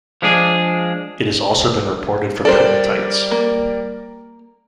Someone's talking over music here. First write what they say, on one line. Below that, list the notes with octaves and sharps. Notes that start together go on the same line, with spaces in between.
It has also been reported from pegmatites.
F3 G#3 D4 G#4
G3 A4 A#4 C5 D5
A#3